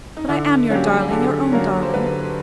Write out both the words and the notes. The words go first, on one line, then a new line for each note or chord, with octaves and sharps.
But I am your darling, your own darling.
D#4
D3 E4
F#3 A#3 C#4 G4
G#4
D3 A4
F#3 A#3 C#4 A#4
C5
D3 B4